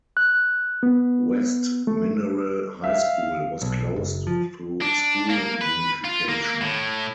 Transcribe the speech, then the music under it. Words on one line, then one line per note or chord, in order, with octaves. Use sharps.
West Mineral High School was closed through school unification.
F#6
B3
A3
E5 F5
B1
F#1
F3
D4
A#3
B4
F4
A#3
A2